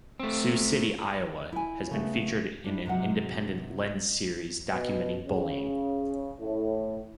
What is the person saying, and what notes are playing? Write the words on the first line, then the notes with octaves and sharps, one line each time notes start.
Sioux City, Iowa has been featured in an Independent Lens series documenting bullying.
A3 C4
E4 G#5
C#3 A3 B3
G3 D4 E4
G#2 C3 F#3 F#5
B2
C#3
A2